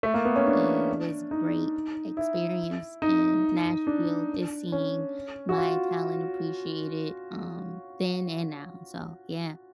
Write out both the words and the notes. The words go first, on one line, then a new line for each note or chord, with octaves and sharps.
it was great experience in Nashville is seeing my talent appreciated, um, then and now, so, yeah.
A3
A#3
B3
C#4
D4
D#4
E4
D#4
D4
C#4
F#4
F4